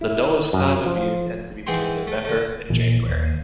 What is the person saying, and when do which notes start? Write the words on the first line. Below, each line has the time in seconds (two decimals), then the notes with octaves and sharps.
The dullest time of year tends to be between November and January.
0.01 E4
0.53 F#2
0.86 F3
1.67 G#2 E3 G#4 F#5 G5 C6
2.07 A3
2.25 D3 A3
2.70 A#1 A#2 E3
3.08 D#2